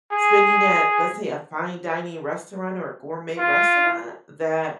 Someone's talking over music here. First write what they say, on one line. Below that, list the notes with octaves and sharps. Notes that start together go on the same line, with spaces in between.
spending at, let's say, a fine dining restaurant or a gourmet restaurant that
G#4
F4